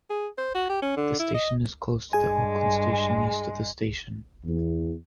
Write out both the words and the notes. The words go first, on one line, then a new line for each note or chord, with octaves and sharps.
The station is close to the Oaklands station East of the station.
G#4
C5
F#4
G4
C#4
D3
E4
D#5
G2 G#3 G#4 G#5
E2